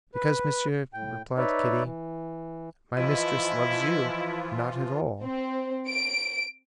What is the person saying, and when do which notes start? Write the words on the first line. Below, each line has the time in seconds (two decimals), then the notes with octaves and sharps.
"Because, monsieur," replied Kitty, "my mistress loves you not at all."
0.14 B4
0.94 A2 G5
1.37 D#4 B4 C#5 D5 E5
1.83 E3
2.97 E3 F3 E4 F4 D#5
5.21 C4
5.87 D7